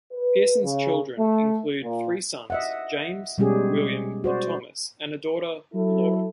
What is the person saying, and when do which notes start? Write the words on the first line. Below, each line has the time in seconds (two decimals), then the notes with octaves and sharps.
Pearson's children include three sons, James, William and Thomas, and a daughter, Laura.
0.13 B4
0.63 C#3
1.18 A3
1.83 A#2
2.50 D#5 E5 F#5
3.38 B2 G3 G#3 C#4 G4 G#4
4.24 F#4 C5 D5
5.74 F#3 E4 A4